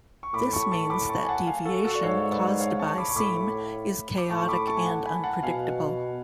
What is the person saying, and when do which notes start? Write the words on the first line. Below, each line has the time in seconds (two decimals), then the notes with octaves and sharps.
This means that deviation caused by seam is chaotic and unpredictable.
0.23 C#6
0.33 A2 B5 D6
0.53 A5 C#6
0.71 A5 C#6
0.90 B5 D6
1.09 A5 C#6
1.23 G#5
1.29 F#5 A5
1.47 F5 G#5
1.65 F#4 A4
1.85 F#4 A4
1.95 D5
2.03 G#2 C#5 F5
2.32 B4 D5
2.60 C#5 F5
2.79 A5 C#6
2.98 B5 D6
3.09 C#6
3.16 A2 B5 D6
4.18 D6
4.29 A2 A5 C#6
4.41 C#6
4.48 B5 D6
4.67 A5 C#6
4.77 G#5
4.86 F#5 A5
5.05 G#5 B5
5.24 F#5 A5
5.43 B2 F5 G#5